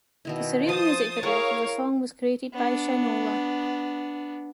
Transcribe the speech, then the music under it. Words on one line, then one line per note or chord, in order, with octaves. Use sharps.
The surreal music video for the song was created by Shynola.
B2 D#3 E4
F3 C5 D#6 A6
E4 G#4 A#4 C#5 F5 F#5
B3 D4